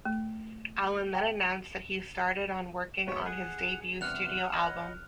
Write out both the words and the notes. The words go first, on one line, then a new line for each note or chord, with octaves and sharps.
Allan then announced that he started on working on his debut studio album.
A3
G5
D#2 G#2 B3 F#4 C#5
G#4 F#5
E2 G2 C3 F#5 F6 F#6 F7
C#5 D#5 B5